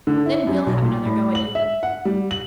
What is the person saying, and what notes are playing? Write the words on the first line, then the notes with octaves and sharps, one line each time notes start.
Then we'll have another go at you.
D3
E4
F#2
B1
A#2
A2
F#7
E5
F#5
G3
F#7